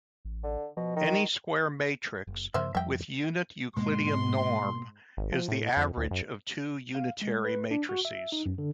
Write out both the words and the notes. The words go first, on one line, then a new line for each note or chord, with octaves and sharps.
Any square matrix with unit Euclidean norm is the average of two unitary matrices.
A1
D3
B2 F3
D#3
F#1
G2 C#3 F3 A#3 C5 E5
F2 F3 G3 E5 G5
G#2 B2 G#3 A#3 B3 C6
G#1
F3
A2
F2
D2
F#2
F5
G#3
B4
D4
F#4
E5
D#4
F#2
D3